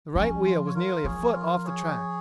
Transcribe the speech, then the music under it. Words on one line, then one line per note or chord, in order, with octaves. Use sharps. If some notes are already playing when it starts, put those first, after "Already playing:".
The right wheel was nearly a foot off the track.
F3 C#4
F4
C#5
F4 A#4
F3 G#4 C#5
F4 A#4
G#4 C#5